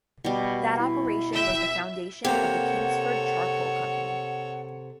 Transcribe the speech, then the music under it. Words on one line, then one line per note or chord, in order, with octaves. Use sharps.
That operation was the foundation of the Kingsford Charcoal company.
B2 G3
E4
E5 G5
C3 A#3 G4 A4 C#5 F#5